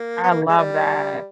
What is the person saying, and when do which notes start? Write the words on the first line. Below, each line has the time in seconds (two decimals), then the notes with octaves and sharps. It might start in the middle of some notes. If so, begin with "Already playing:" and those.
I love that.
Already playing: A#3
0.23 B3
0.31 A#3
0.49 G#3
0.58 G3